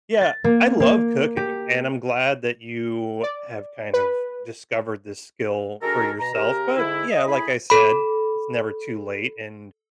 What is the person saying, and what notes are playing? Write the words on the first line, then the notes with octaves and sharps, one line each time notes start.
Yeah, I love cooking, and I'm glad that you have kind of discovered this skill for yourself, but, yeah, like I said, it's never too late, and,
A6
A#3
A#3
G4
D5
B4
D#3 G#3 D4 F#4 A4 A#4
B2 A#5
C#3 G4 A#4
G#2 D3 E4
D#5
A3 E4 G#4 B5
A4 B5